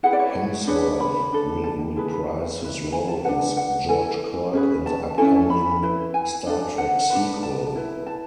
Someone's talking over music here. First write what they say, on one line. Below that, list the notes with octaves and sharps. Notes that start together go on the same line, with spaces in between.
Hemsworth will reprise his role as George Kirk in the upcoming "Star Trek" sequel.
E4 G#4 B4 F#5
D5
C#5
D4 G#4 B4 C#5
B5
D4 A4
A5
E4 G#4 B4
E4 B4
G#5
A5
D4 G#4 B4 F#5
F#5
E4 A4 G#5
C#4 G#4 B4
A5
C#4 E4 A4 G#5
B5
E4 B4
G#5
D4 A4
F#5
D4 F#4 B4
A5
E4 B4
A5